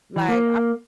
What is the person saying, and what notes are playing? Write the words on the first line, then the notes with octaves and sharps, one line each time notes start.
Like, I
E3
A#3